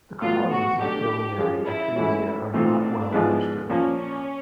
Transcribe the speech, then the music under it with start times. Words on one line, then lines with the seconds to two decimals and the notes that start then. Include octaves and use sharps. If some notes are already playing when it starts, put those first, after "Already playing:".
The causes of biliary atresia are not well understood.
0.22 A2 F#3 B3 F4
0.51 F#4
0.80 B2 F#3 A3 D4 G4
1.38 F3 G#3 C#4 F4 G#4
1.66 E4
1.96 G#2 E3 A3 C#4 F#4
2.54 A2 E3 A3 C4 D#4 F4
2.82 D4
3.11 G#2 F3 G#3 B3 E4
3.70 A#2 F3 A#3 C#4
3.99 C#4